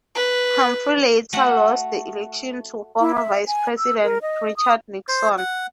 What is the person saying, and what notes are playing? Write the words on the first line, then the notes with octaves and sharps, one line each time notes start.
Humphrey later lost the election to former vice president Richard Nixon.
B4
A3 F#4 F#5
E4
E5
G#5
E6
A#4
D#5
D#6
C5
F#5